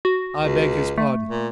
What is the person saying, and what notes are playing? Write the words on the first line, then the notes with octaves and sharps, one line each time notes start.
I beg his pardon.
F#4
C#2
A3
A#2